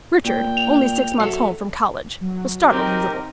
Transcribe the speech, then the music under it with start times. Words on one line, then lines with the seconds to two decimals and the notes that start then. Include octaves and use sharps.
Richard, only six months home from college, was startled a little.
0.25 A#2 G5
0.57 F7
1.20 F#3 A4 E5
2.21 F#3
2.69 C4 D#4 G4 A#4